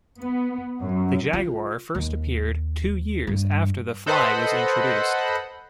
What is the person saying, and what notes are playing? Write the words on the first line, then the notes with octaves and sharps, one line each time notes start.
"The Jaguer" first appeared two years after "The Fly" was introduced.
B3
F#2
F4
D#2
G2
A4 B4 C5 D#5 F#5 B5